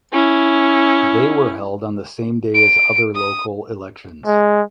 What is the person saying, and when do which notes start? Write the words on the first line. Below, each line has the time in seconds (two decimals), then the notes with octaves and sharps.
They were held on the same day as other local elections.
0.13 C#4 E4
2.54 D7
3.15 D#6
4.26 G#3